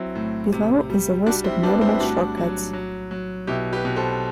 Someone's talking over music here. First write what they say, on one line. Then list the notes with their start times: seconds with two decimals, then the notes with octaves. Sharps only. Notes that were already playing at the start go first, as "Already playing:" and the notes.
Below is a list of notable shortcuts.
Already playing: F#3 C4 E4
0.15 A2
0.52 C3
0.90 G3
1.26 G3 D4 F#4
1.44 C4 E4
1.63 G3 B3 D4
1.81 C4 E4
2.00 A2 D4 F#4
2.37 F#3
2.73 F#3
3.11 F#3
3.47 B2 E4 G4
3.73 G4 B4
3.85 B2
3.96 A4 C5